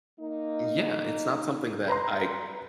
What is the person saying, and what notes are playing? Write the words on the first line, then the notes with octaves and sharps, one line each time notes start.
yeah, it's not something that I
A#3 D#4
B4 A#5 C6